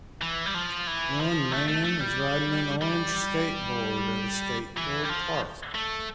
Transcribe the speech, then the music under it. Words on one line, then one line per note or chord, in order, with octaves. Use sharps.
One man is riding an orange skateboard at a skateboard park.
E3
G3
F3
E3
F3
A3
A3
A3
G3
G3
E3
G3
F3
A3